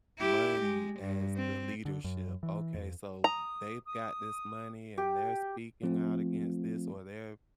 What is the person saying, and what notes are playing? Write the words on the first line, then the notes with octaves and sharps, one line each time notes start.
money as the leadership. Okay, so they've got this money and they're speaking out against this, or they're
E4 G4
G#3
G2
C4
D3
F#2
E3
F2
A#5 D#6
D#6
G4
F3 A3 C4 F4